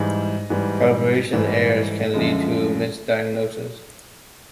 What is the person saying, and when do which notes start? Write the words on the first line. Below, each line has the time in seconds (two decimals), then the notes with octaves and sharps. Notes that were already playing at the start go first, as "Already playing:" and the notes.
Calibration errors can lead to misdiagnosis.
Already playing: G#2 E3 G3 D#5
0.50 G#2 E3 G3
1.33 G#2 E3 G3
2.14 F#2 D3 F3 G#3